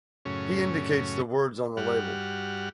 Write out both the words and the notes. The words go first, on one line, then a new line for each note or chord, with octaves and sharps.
He indicates the words on the label.
F#2 A2 C#3 C#4
G2 G3 F#4 F#5 F6